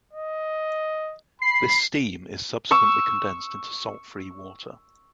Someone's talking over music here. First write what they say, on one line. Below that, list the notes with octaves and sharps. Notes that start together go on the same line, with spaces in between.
This steam is subsequently condensed into salt-free water.
D#5
B5 C7
C#6 E6